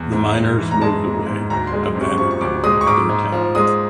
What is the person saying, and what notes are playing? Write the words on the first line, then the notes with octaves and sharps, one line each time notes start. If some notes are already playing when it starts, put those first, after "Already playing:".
The miner's moved away, abandoning their town.
Already playing: E2
G#2
G#2
E3
A#5
G#3 A5
G#2
G#2
D2 A#5
C6
G#3
C6
C3
C#6
F3 C#6
C#6
D2 D6
G#3 D#6
C#6
G#2 D6
G#2
F3
G#3 D#6